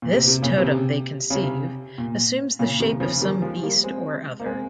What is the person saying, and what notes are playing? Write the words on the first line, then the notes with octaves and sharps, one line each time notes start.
This totem they conceive assumes the shape of some beast or other.
A#2
C3
C3
A#2 C#3
C3
C#3
C3
A#2
A#2 C#3
C3 D#3
C#3 F3
D#3 G3
F3 G#3
G3 A#3
G#3 C4
A#3
G#3 C4